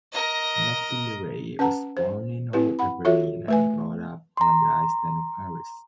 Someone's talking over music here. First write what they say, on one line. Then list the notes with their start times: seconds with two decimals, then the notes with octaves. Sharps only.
MacGillivray was born in Old Aberdeen and brought up on the island of Harris.
0.13 A#4 D#5
1.59 C#4 B4 F#5 A5 A#5
1.97 C5
2.53 C4 E4 G4 B4
2.79 F#5 B5
3.05 F4 F#4 A4 C#5 E5
3.48 A3 B4 G#5
4.37 A#5 C6